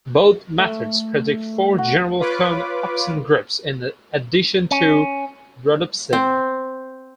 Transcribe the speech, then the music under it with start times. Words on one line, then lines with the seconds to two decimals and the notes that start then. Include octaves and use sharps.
Both methods predict four general cone opsin groups in addition to rhodopsin.
0.58 A3
1.78 F#4
2.20 F4 B4 C#5 D6
4.71 C#4
6.13 C4